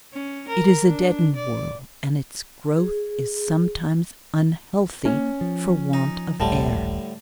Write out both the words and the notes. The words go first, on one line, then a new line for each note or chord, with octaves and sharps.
It is a deadened world, and its growth is sometimes unhealthy for want of air.
C#4
A#4
D4
D5
G#4
A#3 C#4
F3
D#4
D#1 A#1 A2 D3 G3 A5